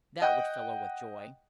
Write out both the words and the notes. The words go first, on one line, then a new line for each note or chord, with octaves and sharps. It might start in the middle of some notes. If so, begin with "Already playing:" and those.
"That would fill her with joy."
D#5 F#5 G5